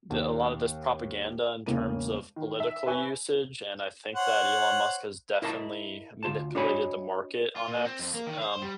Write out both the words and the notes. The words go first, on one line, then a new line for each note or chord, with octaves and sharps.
that a lot of this propaganda in terms of political usage, and I think that Elon Musk has definitely manipulated the market on X, um,
D#2
E1 C#3 A#3 D#7
D#3
E5
B4 E5 G#5 C#6
C5 C#5 F#5
E4 A#4 D#5 E5 G#5 A5
D2 F4 A5
D4 F#4 C#5 D#5 G#5 B5
F4
A#2
C4
F2
A#3
D#3
C5
G3